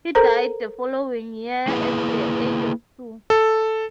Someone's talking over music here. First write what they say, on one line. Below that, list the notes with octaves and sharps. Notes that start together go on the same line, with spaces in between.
He died the following year at the age of two.
A4 A#4 C5 A#5
A#3 E4 G#4 B4
A4